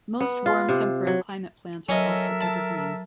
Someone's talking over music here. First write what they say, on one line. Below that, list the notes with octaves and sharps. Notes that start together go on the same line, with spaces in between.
Most warm temperate climate plants are also evergreen.
B3
F4
C3
F#3
F#3 C#4 A4 A#4 D#5 E5
A5